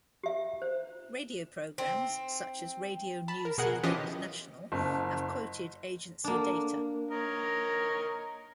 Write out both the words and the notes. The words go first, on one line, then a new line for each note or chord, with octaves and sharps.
Radio programmes such as "Radio New Zealand National" have quoted agency data.
G4 E5
C5
C4
A5 B5
A#4
B2 G#4 A#4 F#5
E3 F3 C#4 G4 B4 D#5
F#1
A#3 D4
A#4 C#5 D#5